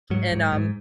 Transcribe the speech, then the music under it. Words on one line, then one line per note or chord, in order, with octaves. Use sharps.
and, um,
G#2 F#3
G#2
G#2